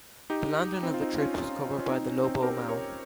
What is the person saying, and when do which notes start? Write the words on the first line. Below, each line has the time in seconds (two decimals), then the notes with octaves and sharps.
The landing of the troops was covered by the "lobo mau".
0.30 D#4 G4
0.83 C4 D#4
0.94 F4
1.01 C4 D#4
1.18 C#4 F4
1.80 C#4
1.89 C4 D#4
2.07 C#4
2.24 C4 D#4
2.42 G4 A#4
2.69 A#4 C#5